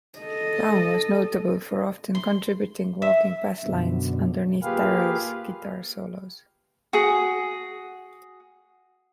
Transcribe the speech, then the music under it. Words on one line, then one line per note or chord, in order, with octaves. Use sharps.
Brown was notable for often contributing walking basslines underneath Darrell's guitar solos.
A4 D#5
C6
E5
F#2 B2 D3
A#3 F4 G4 G#4 B4 F5
F#4 G#4